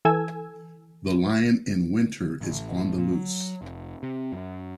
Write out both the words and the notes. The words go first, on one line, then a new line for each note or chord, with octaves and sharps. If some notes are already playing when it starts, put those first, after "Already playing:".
The lion in winter is on the loose.
E3 A4 G#5 E6 G#6
A1
A#2
F#3
F1
C3
F#2